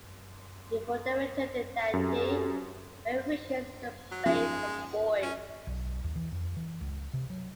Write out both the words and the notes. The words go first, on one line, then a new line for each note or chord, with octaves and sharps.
Before they return to Dante, Marie wishes to bathe her boys.
F#2 C4 G4 A4
F#3
G#2 C#3 F3 G#3
C#4
B1
D#2
E3
F2
E3
C#2
C3
F#3